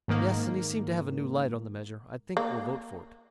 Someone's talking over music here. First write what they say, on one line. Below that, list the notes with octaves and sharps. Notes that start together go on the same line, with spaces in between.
"Yes, and he seemed to have a new light on the measure: I think will vote for it."
G#2 D#3 A#3
A#3